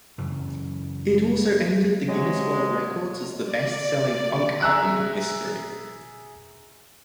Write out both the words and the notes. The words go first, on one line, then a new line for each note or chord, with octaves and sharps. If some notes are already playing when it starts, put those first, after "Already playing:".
It also entered the Guinness World Records as the best-selling funk album in history.
F#2 C#3 E3
C3 F#3 G#3
D5
G#4 E5 A#5 E6 F#6